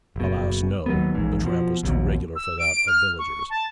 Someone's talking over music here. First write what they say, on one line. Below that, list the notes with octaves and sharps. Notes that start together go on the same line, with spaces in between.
Alas! no; the tramp was too regular for that of villagers.
F#1 B2
D#2 F#3 B3
A#1 E2 G#2
B2 F3
A#1 D#2 B2
E6
D7
F6
C#6
A5